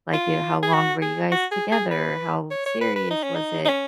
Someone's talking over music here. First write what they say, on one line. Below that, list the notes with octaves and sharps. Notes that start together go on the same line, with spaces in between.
like, you how long were you guys together? How serious was it?
F4
G#4
F#4
G#4
F#4
G#4
G#4
B4
C#5
C#5
B4
B4
D#4
C#4
D#4
D#4
C#4